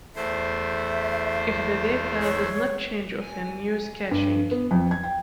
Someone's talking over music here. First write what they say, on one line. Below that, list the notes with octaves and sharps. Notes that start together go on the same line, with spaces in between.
If the data does not change often use caching.
E2 A3 C5 E5
C#5
G2
B3
F2
G#6
G5